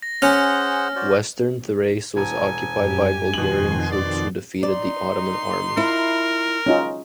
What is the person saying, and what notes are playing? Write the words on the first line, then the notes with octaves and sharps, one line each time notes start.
Western Thrace was occupied by Bulgarian troops who defeated the Ottoman army.
A#6
C#4 G#4 C5 F#5 F6
F#4 C5 D5
E1 G#5
F#2 G4
F2 B2 D#3 C6 F#7
D5
D#4 D5 C6
E4 F4 A#4
C#4 D#4 F4